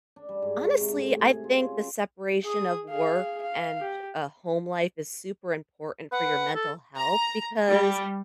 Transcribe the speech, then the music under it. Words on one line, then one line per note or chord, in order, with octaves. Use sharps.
Honestly, I think the separation of work and a home life is super important for your mental health because
D4
G3
G#2
C#6
C3
A2
G#4
F4
C#4
F#3
G#4 D#6
G#4 F5
F5
G4
B4 F#5
A4
A#5
G3